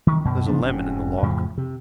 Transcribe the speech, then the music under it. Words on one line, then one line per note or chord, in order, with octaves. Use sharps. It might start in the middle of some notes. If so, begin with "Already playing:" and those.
There's a lemon in the locker.
D#3
F#2 B2
C#3 F3 B3 D4
F1 G#2 C3 C#4
F2 A2 C#3 F3
C3